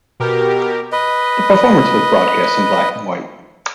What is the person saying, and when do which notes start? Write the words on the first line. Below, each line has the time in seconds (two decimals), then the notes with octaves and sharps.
The performance was broadcast in black and white.
0.20 B2 G4 A#4
0.92 B4 D#5